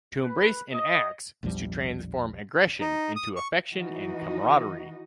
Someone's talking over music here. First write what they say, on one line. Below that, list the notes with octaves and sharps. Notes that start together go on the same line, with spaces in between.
To embrace an axe is to transform aggression into affection and camaraderie.
B4
D#5
A#1 E2 F3 G3
D#4
D#6
C#6
E3 D#4 F#4 D#5